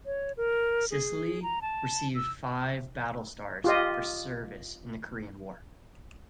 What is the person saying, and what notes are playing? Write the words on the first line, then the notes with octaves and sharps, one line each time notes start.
"Sicily" received five battle stars for service in the Korean War.
C#5
A#4
G#4
A#5
A5
E6
F4 G4 D#5